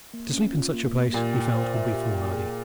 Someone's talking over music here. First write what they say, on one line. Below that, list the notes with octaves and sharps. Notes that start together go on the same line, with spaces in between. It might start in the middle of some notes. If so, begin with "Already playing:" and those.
To sleep in such a place, he felt, would be foolhardy.
A#3
C#4
F4
A#3
A#3
A#2 G4
G5
C5
E5
G4
G5
G#4